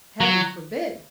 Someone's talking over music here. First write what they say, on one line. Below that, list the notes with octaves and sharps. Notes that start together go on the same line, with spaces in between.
Heaven forbid!
F#3